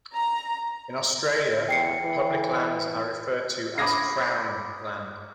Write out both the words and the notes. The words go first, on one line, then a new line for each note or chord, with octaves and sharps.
In Australia, public lands are referred to as Crown land.
A#5
E2 G5 C7 C#7
E3
B5 D6 D#6 G#6 A#6 C7